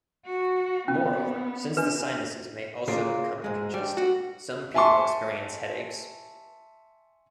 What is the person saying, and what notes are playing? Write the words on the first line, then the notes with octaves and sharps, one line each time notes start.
Moreover, since the sinuses may also become congested, some people experience headaches.
F#4
B3 C#4
D4 B4
A#2 C#3 A#3
G#2 G#3
G2 G3
F#4
E5 G#5 A5 C6 C#6